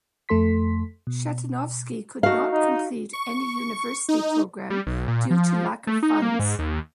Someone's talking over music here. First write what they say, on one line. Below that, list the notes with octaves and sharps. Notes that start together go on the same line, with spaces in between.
Shatunovsky could not complete any university program due to lack of funds.
F2 A3 A4 C6 B6
B2
A3 D#4 F#4 F5
D#4
C#6
D#4
G3
B1
A#2
F3
A3
D#4
A#3
G#2
D#2